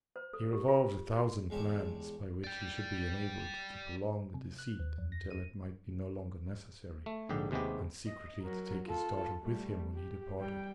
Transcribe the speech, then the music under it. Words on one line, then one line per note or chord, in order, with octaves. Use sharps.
He revolved a thousand plans by which he should be enabled to prolong the deceit until it might be no longer necessary, and secretly to take his daughter with him when he departed.
C5
A4
G4
F4
F#4
E2 G#3 G4 C#5 A5
D5 G5
C3
F#6
D#2
F2
A#6
D#7
A3
A#1 G#2 D3 G4
D#2 C3 G#3 B3 G4
D#5
F#3 A#4
F4 A4
G3 A3
G4
G3 G5